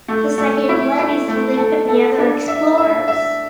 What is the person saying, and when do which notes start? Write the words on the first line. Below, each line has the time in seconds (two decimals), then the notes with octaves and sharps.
The second leg is to link up the other explorers.
0.08 A3
0.38 A3
0.69 E4
0.99 E4
1.28 A3
1.57 A4
1.89 A4
2.18 D4
2.48 E5
2.77 E5
3.08 E5